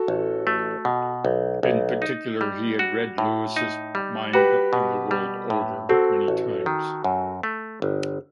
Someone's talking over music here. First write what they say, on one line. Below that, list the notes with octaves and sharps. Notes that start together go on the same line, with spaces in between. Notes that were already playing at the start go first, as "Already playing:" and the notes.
In particular, he had read Lewis' "Mind and the World Order" many times.
Already playing: F#4 A4
A1
A3
B2
B1
B1
D#4
G3
F#4
A2
D#4
G3
F#4 G4 B4
B2
G3
A2
C4 F#4 A4
A1
D#3
F#2
A3
G1